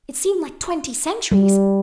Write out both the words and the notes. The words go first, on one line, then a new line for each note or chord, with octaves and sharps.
It seemed like twenty centuries.
G3